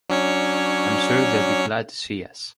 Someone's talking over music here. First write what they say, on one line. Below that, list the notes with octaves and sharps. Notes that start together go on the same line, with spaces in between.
I'm sure they'd be glad to see us.
F#3 C#4 D4 C#5 D5